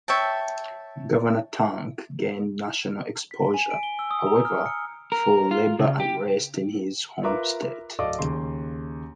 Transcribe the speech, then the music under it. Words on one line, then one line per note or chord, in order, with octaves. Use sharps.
Governor Tuck gained national exposure, however, for labor unrest in his home state.
C#5 E5 G5 A5
B6
G#5
D7
G7
E6
D#6
A#5
F6
C#7
A#4
F4
C#3
G4
F4 A#4 B4 E5 A#5 D6
D1 A4 D5 D#5 F5 D6
D#2 C#3 C6